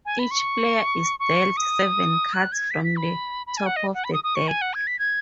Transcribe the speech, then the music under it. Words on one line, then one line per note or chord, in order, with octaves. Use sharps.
Each player is dealt seven cards from the top of the deck.
G#5
B5
C#6
C#6
D#6
F#6
G#6
B6
B6
B5
B5
G#5
F#5
D#5
F#5
B5
D#6
D#6
C#6
G#5
F#5
G#6
B6
G#6